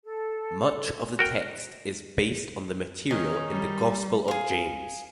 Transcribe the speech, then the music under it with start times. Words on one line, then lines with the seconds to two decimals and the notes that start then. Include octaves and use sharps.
Much of the text is based on material in the Gospel of James.
0.05 A4
1.19 F#4 A#4 G5
3.11 D#3 C#4 D#4
3.47 G3
4.28 G#4 F5